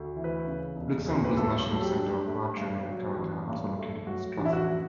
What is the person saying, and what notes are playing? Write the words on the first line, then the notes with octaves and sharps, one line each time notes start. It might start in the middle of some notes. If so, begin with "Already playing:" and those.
Luxembourg's national center of archery and karate are also located in Strassen.
Already playing: D2
E3
B4
C#3
E1
D2
B4
G2 A4
F#3 A4
G4
D4
A3
G2
F#3
A1
G2
A3
F#3 F#4
A1 D4
E4
F#4